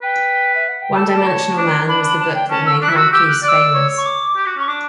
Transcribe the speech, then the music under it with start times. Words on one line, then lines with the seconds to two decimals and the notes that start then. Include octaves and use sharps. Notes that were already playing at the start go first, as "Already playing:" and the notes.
"One-Dimensional Man" was the book that made Marcuse famous.
0.02 B4 G5
0.54 E5
0.68 F#5
0.82 G5
0.95 A4 A5
1.11 A5
1.17 D5
1.26 C#5
1.57 D4
1.88 D4 B5
2.03 B5
2.19 A5
2.34 G5
2.50 C#4 A5
2.66 E6
2.81 D4 F#6
2.89 E4
2.97 F#4 E6
3.12 G4 E6
3.28 F#6
3.43 D5 F#6
3.48 E6
3.74 C#5
3.97 C#6
4.05 D6
4.36 G4
4.46 F#4
4.57 C#4
4.60 C#6
4.68 D4 D6